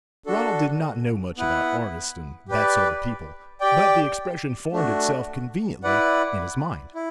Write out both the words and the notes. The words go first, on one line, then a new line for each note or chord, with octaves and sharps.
Ronald did not know much about artists and that sort of people, but the expression formed itself conveniently in his mind.
D4 F#4 A4
B3 E4 B4 F#5
G4 B4 D5
G4 D5 G5
A3 D4 F#4
E4 B4 D5 F#5
E4